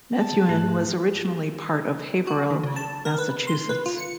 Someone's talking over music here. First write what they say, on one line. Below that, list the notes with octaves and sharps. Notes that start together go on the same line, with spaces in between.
Methuen was originally part of Haverhill, Massachusetts.
A5
G#2 F3 A3 G#4 F#6
F#4
D#3
C#3
A5
A#4
B4
C6
B4
F4
C#7